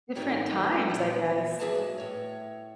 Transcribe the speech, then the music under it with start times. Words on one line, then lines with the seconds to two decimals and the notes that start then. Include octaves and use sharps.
Different times, I guess.
0.16 G#2 D#3 A#3 A4 C#5 G5
0.64 E3
0.90 A#2 B3
1.60 A#3 G#4 B4 E5 A5
1.75 F#3 G#3
1.98 A2 C#5